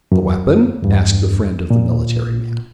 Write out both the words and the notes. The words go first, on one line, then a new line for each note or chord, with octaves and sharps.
"The weapon?" asked the friend of the military man.
F#2
E2 G2
A#2